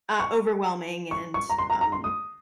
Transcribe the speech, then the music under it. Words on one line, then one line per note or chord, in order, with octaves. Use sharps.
uh, overwhelming and, um,
C#6
C#6
C#6
A#5
C6
A#5
A#5
C6
D#6